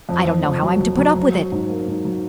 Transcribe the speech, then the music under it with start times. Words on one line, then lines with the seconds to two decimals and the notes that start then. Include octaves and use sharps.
I don't know how I'm to put up with it.
0.09 F2
0.27 F2
0.44 F2
0.63 F#3
0.80 F#3
0.99 F#3
1.16 F#3
1.34 F#3
1.52 G#2
1.70 A#3
1.88 G#2
2.05 F#3